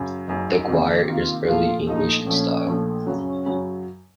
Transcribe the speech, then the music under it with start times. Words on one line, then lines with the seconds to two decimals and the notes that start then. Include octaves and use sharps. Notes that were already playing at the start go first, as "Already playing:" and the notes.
The choir is Early English in style.
Already playing: F#2 C#3
0.28 F#1 F#2 C#3 D#4
0.67 C3 D#3 A#3
1.08 C3 D#3 A#3 F4
1.47 A#2 F3 A3 F4
1.87 A#2 F3 A3 D#4
2.26 A#1 A#2 F3 A3 C#4
2.66 A#1 A#2 F3 A3
3.05 F#2 C#3 F#3 C#4
3.46 F#2 C#3 F#3